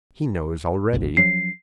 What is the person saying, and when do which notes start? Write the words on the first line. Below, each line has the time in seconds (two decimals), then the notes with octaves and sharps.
He knows already.
0.93 G1 C2 G#2
1.17 F3 F#3 C#4 C7